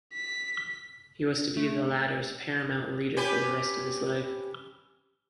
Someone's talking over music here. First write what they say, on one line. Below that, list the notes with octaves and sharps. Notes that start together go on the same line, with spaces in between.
He was to be the latter's paramount leader for the rest of his life.
B6
A3
C#4 G4 B4